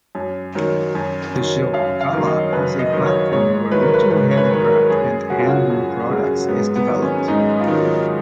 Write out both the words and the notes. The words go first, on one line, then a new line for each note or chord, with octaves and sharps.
The Shilpkala is a platform where regional handicraft and hand-loom products is developed.
F#2
D#3 F#3
F#2
D#3 F#3
F#2 F5
F5
D#3 F#3
D#5
F#2 B4
D#5
D#3 F#3
C#5
G#2 C#5
D#3 F#3 B4
A#4
B4
G#2 B4
C#5
B4
D#3 F#3
A#4
F#2 G#4
C#3 F#3 F#4
F4
F#4
F#2
C#3 F#3
G#2 B3
B3
D#3 F#3
C#4
G#2 D#4
F4
D#3 F#3 D#4